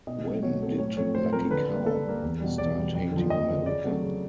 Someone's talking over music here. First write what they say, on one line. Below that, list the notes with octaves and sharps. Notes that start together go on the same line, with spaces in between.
When did Lucky Cow start hating America?!
B2 D#5
F#3 A3 C4
B2 C#5
F#3 A3 C4
A2 C#5
F3 A3 C4 C#5
A2 C5
F3 A3 C4 A#4
D3 B4
G3 A#3
D3 A4
G3 A#3
E2
B2 G3
E2 D5
B2 G3
F2
D3 F3
F2 D#5
D3 F3
C#3 D5
F#3 A3 C4
C#3